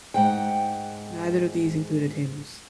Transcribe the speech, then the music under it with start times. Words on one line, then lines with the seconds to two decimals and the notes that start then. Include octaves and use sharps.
Neither of these included hymns.
0.14 G#2 F#5 G5